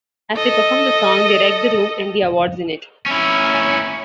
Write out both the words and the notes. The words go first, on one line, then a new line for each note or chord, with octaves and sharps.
As they perform the song, they wreck the room and the awards in it.
A4 D#5
C#4 E4